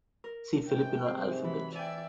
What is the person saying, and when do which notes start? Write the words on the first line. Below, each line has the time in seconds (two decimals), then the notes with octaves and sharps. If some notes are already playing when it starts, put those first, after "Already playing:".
See Filipino alphabet.
0.24 A#4
0.67 G#2 C3 G5
1.06 C4
1.44 E3 F#3 B5
1.75 D5 E5 G5 G#5